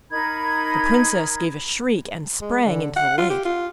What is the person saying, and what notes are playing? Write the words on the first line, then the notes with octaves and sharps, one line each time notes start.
The princess gave a shriek, and sprang into the lake.
D#4 A#4 B5 G#6
G#3
D3
F#5
F4
G4
F4